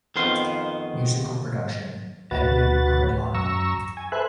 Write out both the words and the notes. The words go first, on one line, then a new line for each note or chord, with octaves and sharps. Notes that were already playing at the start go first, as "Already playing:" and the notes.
Musical Production: Edwin Arellano.
F2 D#3 B3 C5 F5 C6
D2 F#4 B4 A6
F#2 A#5 C#6 E6
G#5
A4 B4 C5 E5 G#5 F#6